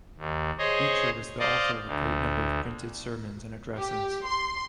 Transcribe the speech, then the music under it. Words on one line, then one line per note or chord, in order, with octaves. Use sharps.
Beecher was the author of a great number of printed sermons and addresses.
D#2
G#4 C5 C#5 D#5
C5 D5 D#5 F5
D2
G4
C6